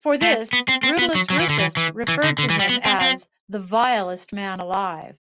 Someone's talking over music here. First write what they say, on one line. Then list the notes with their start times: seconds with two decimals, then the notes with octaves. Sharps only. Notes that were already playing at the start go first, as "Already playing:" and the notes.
For this, Rutilius Rufus referred to him as "the vilest man alive".
0.22 A3
0.53 B3
0.68 C4
0.83 C4
0.99 B3
1.15 F#3
1.30 F#3
1.39 E3
1.49 D3
1.59 E3
1.77 E3
2.08 E3
2.24 D3
2.39 D3
2.50 E3
2.59 G3
2.69 B3
2.85 C4
3.01 C4